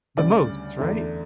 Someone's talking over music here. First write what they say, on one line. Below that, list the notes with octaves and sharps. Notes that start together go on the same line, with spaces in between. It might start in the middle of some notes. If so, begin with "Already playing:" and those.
The most, right?
D2 C#3 G3 D5
E2 D3 A3